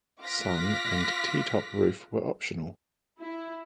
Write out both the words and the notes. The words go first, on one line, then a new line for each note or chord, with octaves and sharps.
Sun and T Top roof were optional.
F4 D6 F6 F#6 A#6 B6
E4